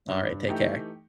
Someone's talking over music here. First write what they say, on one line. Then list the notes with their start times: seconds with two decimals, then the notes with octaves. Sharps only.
Alright. Take care.
0.09 G2
0.48 E3 A3 D#4 G4